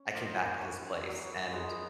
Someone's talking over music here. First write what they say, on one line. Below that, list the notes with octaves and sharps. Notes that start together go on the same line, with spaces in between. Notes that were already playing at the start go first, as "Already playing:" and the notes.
I came back to his place, and
Already playing: C#4
F3 A#3 D#4
C#4 F#4 B4
F#3 B3 F#4 B4
G#3 B3 D#4 A#4